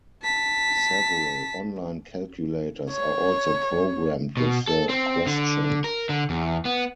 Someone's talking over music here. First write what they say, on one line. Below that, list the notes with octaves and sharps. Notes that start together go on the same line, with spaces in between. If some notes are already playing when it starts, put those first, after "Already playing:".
Several online calculators are also programmed with the Question.
A5 B6
C#5
B2
A4
C4
D3
A#4
D3
E2
B3